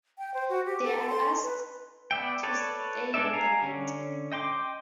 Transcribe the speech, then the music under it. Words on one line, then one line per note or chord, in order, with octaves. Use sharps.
They are asked to stay the night.
G5
C5
F#4
G4
A4
C6
B4
B3 D5 E5 G5
A4 B4 C#5 D5 A5
G#3 D4 A4 D5 E5
F5 G#5 A#5
D3 C#4
D#5 G5 C6 D6